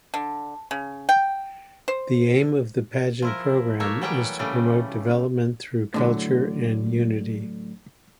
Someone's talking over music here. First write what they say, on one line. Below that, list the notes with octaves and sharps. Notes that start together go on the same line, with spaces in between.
The aim of the pageant program is to promote development through culture and unity.
D3
C#3
G5
C5
F3 E4 A#4
A3 A#3 C#5 E5
E3 F#3 G3 C#5 F#5 G5
C#3 G3 A3
A2 D3 F#3